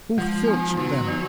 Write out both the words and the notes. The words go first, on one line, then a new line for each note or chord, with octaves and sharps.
Who filched them?
F3 G#3
B3 D#4
D3 F#3
F3 B3 D#4 F#4